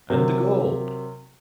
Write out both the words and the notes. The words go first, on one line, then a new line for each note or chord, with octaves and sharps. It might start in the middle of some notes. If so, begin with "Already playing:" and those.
"And the gold?"
C3 F#3 A#4